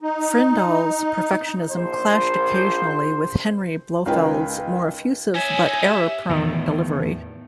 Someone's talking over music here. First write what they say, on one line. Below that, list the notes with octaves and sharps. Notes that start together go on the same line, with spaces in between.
Frindall's perfectionism clashed occasionally with Henry Blofeld's more effusive - but error-prone - delivery.
D#4
A#1 C5
C#2 C#4 D#4 A#4 B4 G5
D#4 C#5 E5 G#5
G4 E5
E2 A2 D#3